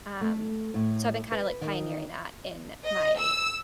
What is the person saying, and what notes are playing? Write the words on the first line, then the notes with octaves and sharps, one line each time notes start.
Um, so, I've been kinda, like, pioneering that in my
A3
A2
B4
D#3
D#5
E6